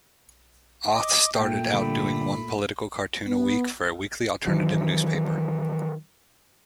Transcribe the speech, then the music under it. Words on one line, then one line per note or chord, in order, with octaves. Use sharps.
Auth started out doing one political cartoon a week for a weekly alternative newspaper.
D#5 D6
A#2 A3 G5
D3 G3 G5 B5
B3
D#3 E3 F#3